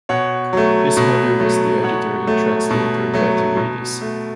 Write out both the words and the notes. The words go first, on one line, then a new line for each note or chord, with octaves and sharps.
His mother was the editor and translator Betty Radice.
B2 C#5 F#5
F#3 A3
B2
F#3 A3
B2 C#5 F#5
F#3 A3
B2
F#3 A3
B2
A3